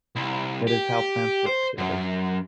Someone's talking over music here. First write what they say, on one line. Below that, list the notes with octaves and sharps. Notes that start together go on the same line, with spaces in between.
It is how plants work together.
C2
G4
C5
F#2